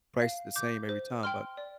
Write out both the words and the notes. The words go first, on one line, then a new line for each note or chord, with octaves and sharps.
prices the same every time. But,
F5
D6 G6
C5
G5 C6 F6
D5